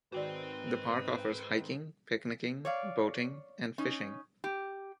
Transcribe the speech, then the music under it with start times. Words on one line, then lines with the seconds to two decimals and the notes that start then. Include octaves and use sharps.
The park offers hiking, picnicking, boating, and fishing.
0.12 G#2 D#3 C4 F#4 B4 C5 D5 G5
2.65 C#5 D5 F5
3.78 C#4 D#4
4.44 G4